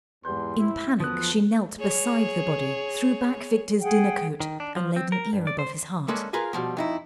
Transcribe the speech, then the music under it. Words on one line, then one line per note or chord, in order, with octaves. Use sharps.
In panic she knelt beside the body, threw back Victor's dinner-coat, and laid an ear above his heart.
E2 G#2 G4 C6 G6
C3 E4
E2 F3 F#3 B3 A4 B4 D#6 F#6
G#4 C#5
G#4 F#5 G5
D#3
D4
F3
C4
A#4
G2
D5
C5
G#3 A#3 C#4 A4 B4 D5
F4 G#4 A#4 B4 G#5
B2 F3 G3
F2 D#4 E4